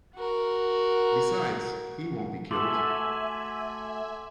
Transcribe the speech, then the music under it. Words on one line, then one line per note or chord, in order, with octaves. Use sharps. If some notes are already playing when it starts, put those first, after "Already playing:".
Besides he won't be killed.
F#4 A#4
A3 F#4 A4 E5 G#5 C6 D6 F#7